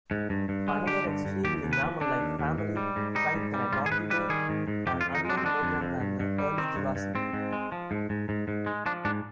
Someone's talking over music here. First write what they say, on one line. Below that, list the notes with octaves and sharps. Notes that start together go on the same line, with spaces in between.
Another extremely mammal-like family, Tritheledontidae, are unknown later than the Early Jurassic.
G#2
G2
G2
G#3
D3 G4
G2
G2
D#2 G4
D#2
B4
F3
D3 D4
D#2
D#2
G#2
G3
G#2
G3 D#4
G#2
G3
G#2 F4
G#4
G#2 B4
G3 B4
D#3 G#4
G#2
G#2
F2 G4
F4
F2
D#4
G#3 D4
C4
D3 D4
F2
F2
G2
G2
G3
D#3 C4
G2
G2
G#2 C4
G#2
G#3
F3
G#2
G#2
G#2
G#2
G#3
F3 D4
G#2 D4